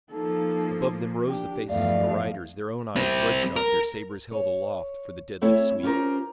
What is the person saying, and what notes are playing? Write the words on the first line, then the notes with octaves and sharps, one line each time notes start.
Above them rose the faces of the riders, their own eyes bloodshot, their sabers held aloft for the deadly sweep.
F3 A#3 D#4 A4
D4 G4
E2 G2 F3 A3 D5 F5
G3 C4
A#4
C#5
A3 C4 E4 A4 C#5 E5
C#4 F4 G4 A#4 C5